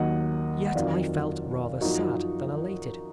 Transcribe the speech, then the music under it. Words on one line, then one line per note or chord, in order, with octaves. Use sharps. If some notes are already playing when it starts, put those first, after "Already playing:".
Yet I felt rather sad than elated.
Already playing: D#2 D#3 F#3 D#5 F#5
F#5
F2 D#3 F#3 D5 F5
F#2 F3 D#4 F#4